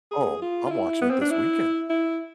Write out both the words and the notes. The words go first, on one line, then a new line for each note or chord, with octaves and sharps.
Oh, I'm watching it this weekend.
G#4
F4
F4
E4
B3
C4
D4
E4
E4